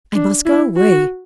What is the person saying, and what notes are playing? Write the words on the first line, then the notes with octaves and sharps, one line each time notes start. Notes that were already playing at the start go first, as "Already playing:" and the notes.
I must go away.
D4
E4
F#4